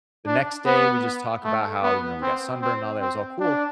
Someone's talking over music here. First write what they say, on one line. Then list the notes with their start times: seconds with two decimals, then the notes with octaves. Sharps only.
The next day, we just talk about how, you know, we got sunburned and all that, it was all cool.
0.26 D4
0.66 B3
1.44 A3
1.83 B3
2.22 C4
2.61 C4
3.01 C4
3.40 D4